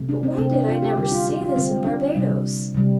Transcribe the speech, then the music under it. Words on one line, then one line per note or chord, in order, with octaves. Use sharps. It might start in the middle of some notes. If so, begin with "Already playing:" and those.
"But why did I never see this in Barbadoes?"
Already playing: C3 A3
D4
C4
C3 A3 C4
D4
F4
G4
D3 G3 G4
F4
F4
F4
D3 G3 C4
D4
C3 G3
C3 G3